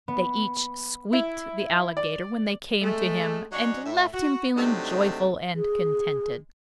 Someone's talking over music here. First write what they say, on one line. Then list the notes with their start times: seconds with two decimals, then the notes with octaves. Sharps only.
They each squeaked the Alligator when they came to him, and left him feeling joyful and contented.
0.08 B3
1.13 E4
1.97 D5
2.81 G#3 A3
3.52 F#3 C#4 D4 C#5 D#5 F#5
3.86 A2 E5
4.13 F#4
4.55 C3 F#3 G#3 A3 D4 D#4
5.55 G#4